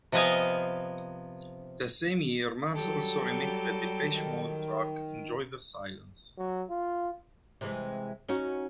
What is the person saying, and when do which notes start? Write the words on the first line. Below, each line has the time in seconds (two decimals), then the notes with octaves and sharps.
The same year, Maas also remixed the Depeche Mode track "Enjoy the Silence".
0.12 C3 F3 B3 D#5 F5 G#5
2.76 F#3 G3 G4 A4
4.06 D#3
6.38 F#3
6.70 F4
7.61 C3 E3 G#3
8.29 C#4 D#4 F#4